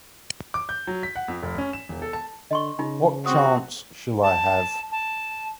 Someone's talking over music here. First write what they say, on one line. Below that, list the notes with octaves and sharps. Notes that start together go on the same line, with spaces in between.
What chance shall I have?
D6
G6
F#3
B6
F#5
F2
F1
C#4
E7
E1
A4
A5
D3 D#5 C6 C#6
C#3 D#4 F4
C4 F#4 D#6
A5
A5